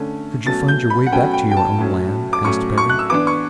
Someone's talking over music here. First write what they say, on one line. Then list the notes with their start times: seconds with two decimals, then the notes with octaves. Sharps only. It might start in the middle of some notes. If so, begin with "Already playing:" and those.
"Could you find your way back to your own land?" asked Perry.
Already playing: D3 A3 C#4
0.45 B2 F#3 A3 C#4 A6
0.68 G6
0.90 B5
1.07 F#5
1.12 B2 F#3 A3 C#4 G5
1.34 G5
1.51 G5
1.57 A5
1.79 A2 F#3 C#4
2.33 D6
2.44 A2 F#3 C#4 C#6
2.78 C#6
2.89 F#6
2.99 E6
3.10 E3 B3 D4 D6
3.27 C#6